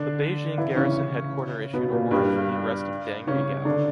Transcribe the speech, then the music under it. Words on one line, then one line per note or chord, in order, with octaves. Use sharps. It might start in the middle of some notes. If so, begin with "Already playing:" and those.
The Beijing Garrison headquarter issued a warrant for the arrest of Deng Hegao.
Already playing: D3 D4
E3 E4
C#3 C#4
B2 B3
A#2 A#3
G2 G3
C#3 C#4
D3 D4